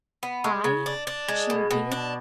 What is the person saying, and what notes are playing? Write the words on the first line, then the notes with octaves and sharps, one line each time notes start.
"I?" she repeated.
B3
G#3
C#3
D4
D4
G#3
B2
B2
D4